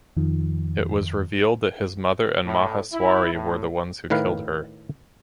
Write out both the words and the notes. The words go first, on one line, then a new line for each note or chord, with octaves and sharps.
It was revealed that his mother and Maheswari were the ones who killed her.
F2 D#3 F3
A2
E4
A2
A2 D#3 B4 F5